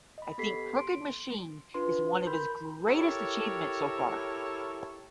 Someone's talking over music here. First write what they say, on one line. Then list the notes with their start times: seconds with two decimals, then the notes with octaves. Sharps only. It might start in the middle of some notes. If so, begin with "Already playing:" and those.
I think "Crooked Machine" is one of his greatest achievements so far.
0.18 D#5 B5
0.38 B3 G4 A4 B6 C7
0.75 C6 D7
1.74 D4 F4 B4 C6
2.27 A#4 B5 C6 G6
2.87 E4 G4 A4 A#4 C#5